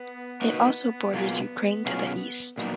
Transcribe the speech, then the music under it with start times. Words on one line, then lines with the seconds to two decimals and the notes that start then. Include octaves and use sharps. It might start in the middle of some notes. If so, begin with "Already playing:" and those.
It also borders Ukraine to the east.
Already playing: B3
0.41 A#3 D#4 F#4 B4
1.14 B2 F#3 A#3 B3 F4 G#4
1.86 B2 F#3 C#4 F4 G#4
2.58 A#2 F#3 B3 D#4